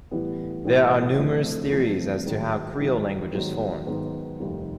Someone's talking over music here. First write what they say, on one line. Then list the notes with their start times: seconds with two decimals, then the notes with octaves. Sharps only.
There are numerous theories as to how creole languages form.
0.11 A2 E3 G3 B3
0.65 A2 E3 G3 B3
1.18 E2 C3 F3 A3
1.72 E2 C3 F3 A3
2.26 G#2 D#3 F#3
2.79 G#2 D#3 F#3
3.33 G#2 D#3 F#3 B3 D#4
3.87 G#2 D#3 F#3 B3 D#4
4.40 F1 D#2 D#3 G3